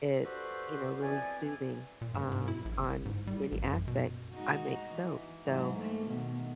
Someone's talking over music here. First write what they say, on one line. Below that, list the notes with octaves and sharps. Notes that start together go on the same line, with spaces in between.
it's, you know, really soothing, um, on many aspects. I make soap, so
D4 F#4 G4 A4 B4 C5
B2 E3 F3 C4 D5 G#5
A#2
G2
G#2
E4
A#1
G1
G#2
G3
A1
F#2
B2
G#3 D#4 F#4
E3
G#2 E3 F#3
A3 A#3
B2 D#3